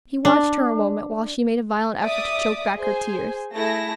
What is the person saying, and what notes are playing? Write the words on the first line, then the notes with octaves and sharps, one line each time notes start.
He watched her a moment while she made a violent effort to choke back her tears.
D4
D5 E5 D6 D#6
G#4 C5 G#5
A3 E4 G#4 A5 A#6